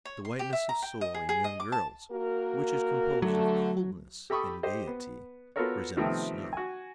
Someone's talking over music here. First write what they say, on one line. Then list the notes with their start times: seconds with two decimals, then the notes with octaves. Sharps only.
The whiteness of soul in young girls, which is composed of coldness and gayety, resembles snow.
0.05 C#5
0.25 C6
0.39 G4
0.53 E5
0.69 A#5
0.82 G5
1.01 D#5
1.14 G#4
1.29 G#4
1.44 D#5
1.60 D6
1.72 A5
2.11 A#3 F#4 A#4
3.22 D3 F#3 A3
4.30 G4 A4 G5 B5 C#6 D#6
4.63 G4 C5 D#5
4.87 B3
5.56 B3 F4 F#4 A4 A#4 C#5
5.97 C3 D#3 F3 A3 B3 C4
6.53 F#4 G#5